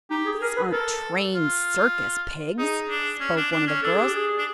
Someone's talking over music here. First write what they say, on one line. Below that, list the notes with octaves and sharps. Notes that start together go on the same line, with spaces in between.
"These aren't trained circus pigs," spoke one of the girls.
D#4 G4
G#4
G#4 A#4
B4
A4 A#4
F4
D#4 G#4
D4
C#4
D4
D4
C#4
D4 A4
G#4
G4
G#4
D4